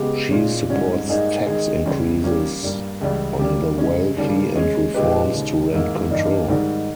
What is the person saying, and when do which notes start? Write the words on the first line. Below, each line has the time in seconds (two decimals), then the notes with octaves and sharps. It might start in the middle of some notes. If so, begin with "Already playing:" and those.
She supports tax increases on the wealthy and reforms to rent control.
Already playing: C#3 G#3 B3 G4
0.30 A#2 G#3 C#4
0.70 G#2 G3 C#4
1.08 G#2 G3 A#3 D#4 G#4
1.47 D#3 G#3 D#4 G#4
1.84 C#2 C#3 E3 G3 C#4
2.23 G3 A#3 C#4 G4
2.63 G2 G3 A#3
3.01 C#2 C#3 E3 G3
3.39 G3 A#3 C#4 G4
3.78 C#3 G#3 C#4
4.17 D#2 C#3 G3 A#3
4.55 G#3 C#4 G#4
4.94 A#2 G#3 D#4 G4 B4
5.33 D#2 C#3 G#3
5.72 G#2 D#3 A#3 E4
6.11 G2 E3 G3 A#3 D#4
6.48 G#2 D#3 G3